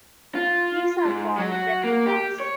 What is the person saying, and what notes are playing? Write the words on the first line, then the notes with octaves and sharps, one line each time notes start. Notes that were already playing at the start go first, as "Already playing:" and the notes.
These are called replicas.
F4
G#2
F#3
F#4
A#3
G4
C#5